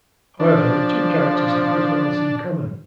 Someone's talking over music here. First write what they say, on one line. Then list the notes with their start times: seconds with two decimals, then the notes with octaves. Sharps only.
However, the two characters have little else in common.
0.40 F3 D4